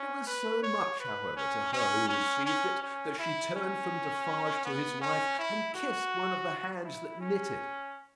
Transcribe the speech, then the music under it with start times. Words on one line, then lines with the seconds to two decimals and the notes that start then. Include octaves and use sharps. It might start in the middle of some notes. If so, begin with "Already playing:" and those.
It was so much, however, to her who received it, that she turned from Defarge to his wife, and kissed one of the hands that knitted.
Already playing: C#4
0.27 B4
0.63 C#5
1.00 B4
1.36 C#4
1.73 C#4
2.09 C#4
2.45 C#4
2.82 C#4
3.19 E4
3.55 C#4
4.65 B3
5.02 C#4
5.39 E4
5.75 F#4
6.85 E4
7.21 C#4